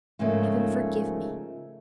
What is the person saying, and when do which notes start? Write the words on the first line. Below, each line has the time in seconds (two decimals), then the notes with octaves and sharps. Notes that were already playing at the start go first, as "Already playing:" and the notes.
Heaven forgive me!'
0.19 G#2 C#3 F3 A3 A#3